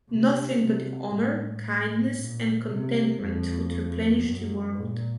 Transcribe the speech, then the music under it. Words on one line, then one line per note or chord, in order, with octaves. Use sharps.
Nothing but honour, kindness, and contentment would replenish the world.
C3
C3
A2
A#2
C3
F2
F#2
A#2